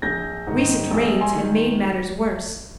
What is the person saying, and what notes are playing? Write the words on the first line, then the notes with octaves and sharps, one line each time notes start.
Recent rains had made matters worse.
A#1 G6 A#6
G#2 D#3
A#1
G#5 C6
D#3